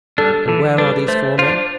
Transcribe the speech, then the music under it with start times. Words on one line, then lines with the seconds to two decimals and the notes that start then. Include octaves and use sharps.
"And where are these four men?"
0.18 G3 D4 A4
0.48 E3 A4
0.78 G3 D4 B4
1.08 A3 C5
1.38 D4 F4 C5